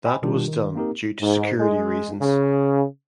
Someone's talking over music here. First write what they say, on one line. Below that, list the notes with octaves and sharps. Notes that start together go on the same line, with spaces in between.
That was done due to security reasons.
D#5 G5 G#5 B5
B2 D#3 G3 D4 F4 G4
D#3
A#3 C4 D#4 G4 A#4
G#2
G#3
C#3